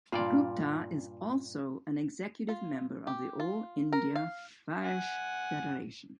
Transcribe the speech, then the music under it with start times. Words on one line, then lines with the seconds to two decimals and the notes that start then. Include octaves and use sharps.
Gupta is also an executive member of the All India Vaish Federation.
0.12 G2 A#2 F4 D5
2.49 F4
3.07 G4
3.40 F4
3.93 A#4
4.16 F5
4.82 F#5 G#5